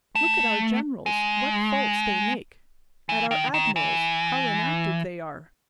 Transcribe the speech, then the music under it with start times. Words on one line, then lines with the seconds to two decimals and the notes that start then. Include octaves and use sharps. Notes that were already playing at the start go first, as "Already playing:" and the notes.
Look at our generals, what faults they make; at our admirals, how inactive they are.
0.15 A3
1.06 G#3
3.09 E3
3.31 D#3
3.54 D#3
3.76 E3